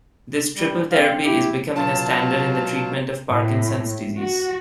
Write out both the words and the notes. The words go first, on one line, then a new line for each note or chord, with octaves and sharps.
This "triple therapy" is becoming a standard in the treatment of Parkinson's disease.
G3
C4 F5
E4 G4
B2 F#3 F4 A5
A2
F#4